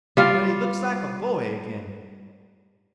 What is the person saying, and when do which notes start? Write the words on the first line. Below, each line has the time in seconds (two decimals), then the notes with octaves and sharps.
But he looks like a boy again!
0.17 G3 F4 F5